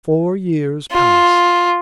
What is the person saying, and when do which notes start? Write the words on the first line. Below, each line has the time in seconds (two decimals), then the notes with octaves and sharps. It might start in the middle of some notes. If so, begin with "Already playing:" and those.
Four years passed.
0.92 F4